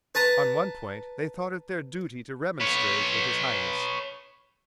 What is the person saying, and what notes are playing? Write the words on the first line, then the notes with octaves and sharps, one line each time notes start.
On one point they thought it their duty to remonstrate with his Highness.
B4 A5 A#5
B4 C#5